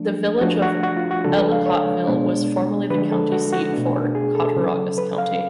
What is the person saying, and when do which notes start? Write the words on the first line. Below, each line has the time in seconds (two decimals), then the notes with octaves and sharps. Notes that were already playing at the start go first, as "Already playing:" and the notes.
The Village of Ellicottville was formerly the county seat for Cattaraugus County.
Already playing: F3 A3 D4
0.41 F3 A3 D4 F#4
0.62 F#4
0.83 F#4
0.97 F4
1.11 F#4
1.24 C#3 F3 G#3 D4 A4
1.38 B4
1.52 F5
1.66 C#5
2.07 B2 G#3 B3 D4
2.90 D3 F3 G#3 D4 B4
3.11 A4
3.32 F#4
3.53 F#4
3.73 B2 A3 D4
4.15 G#4
4.35 A4
4.56 C#3 F#3 C#4
4.98 B4
5.18 F5